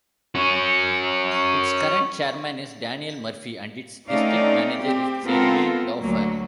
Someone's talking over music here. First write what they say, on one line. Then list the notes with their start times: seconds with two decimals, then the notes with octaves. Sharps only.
Its current chairman is Daniel Murphy and its district manager is Jeremy Laufer.
0.35 C#4 F#4
4.08 A3 C4 C#4 D#4 D5 F5
4.81 C4 G4
5.25 G#3 B3 C4 F4 A4 A#4
6.00 D2 F#3 A#3